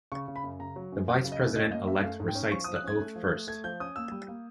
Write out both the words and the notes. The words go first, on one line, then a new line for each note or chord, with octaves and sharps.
The vice-president-elect recites the oath first.
C#3 C#6
C#3
B5
F#2
C#3 A#5
F#3
F#2
F#3 F#5
C#3
D#5
F#2
F#2 D#5
A#3 D#5
F#2 E5
A3 F5
G#2
G5
C#4
F3 C#6
D#6
F3
F#6
C#4 G#6
A3
F3
A3
A3 G#6
F3 G6
C#4 D#6
A#3 E6
G3
A#3